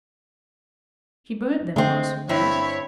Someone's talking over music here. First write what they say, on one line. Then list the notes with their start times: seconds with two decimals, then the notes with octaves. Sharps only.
She burnt them, I suppose.
1.76 D3 G#3 A3 C4
2.29 G2 C4 E4 C#5 B5